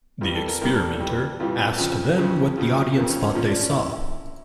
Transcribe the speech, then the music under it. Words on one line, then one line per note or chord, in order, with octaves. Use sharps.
The experimenter asked then what the audience thought they saw.
F2 E3 G3 F4
A4
A#4
F2 E3 G3 A#4
A4
A4
F2 E3 G3
F2 E3 G3 F4
F2 C#3 F3
F2 C#3 F3
F2 C#3 F3 F4
F2 C#3 F3 A#3
C#4
C#4
A#2 F3 C#4
D4
C#4
E4